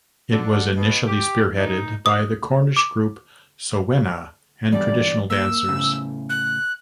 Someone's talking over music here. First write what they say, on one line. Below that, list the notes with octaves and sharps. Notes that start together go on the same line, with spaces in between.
It was initially spearheaded by the Cornish group Sowena, and traditional dancers.
D3
B2
G4
D#4
D#6
D6
E2 G2 G3 D5
A#3 E6
A2 C#3
F#6